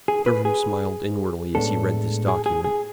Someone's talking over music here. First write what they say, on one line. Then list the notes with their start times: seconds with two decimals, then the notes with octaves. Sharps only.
Durham smiled inwardly as he read this document.
0.08 G#4
0.26 B4
0.45 G#4
1.55 A2 G#3 B3 D4 A4
2.28 G#4
2.46 G#4
2.64 G#4